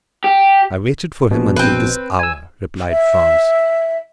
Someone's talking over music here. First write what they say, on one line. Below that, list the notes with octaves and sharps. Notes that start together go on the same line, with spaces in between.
"I waited for him until this hour," replied Franz.
G4
A#1 B2
C4 B4
G#5 E6
E5